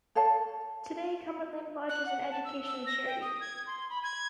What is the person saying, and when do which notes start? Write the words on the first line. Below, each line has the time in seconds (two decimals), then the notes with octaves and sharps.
Today Cumberland Lodge is an educational charity.
0.15 A4 C#5 F5 A5
1.89 F#6
2.06 F#5
2.31 A5
2.45 E6
2.66 E6
2.86 A#6
3.06 G5
3.21 D#6
3.40 G#6
3.66 C6
3.90 B5
4.03 G#6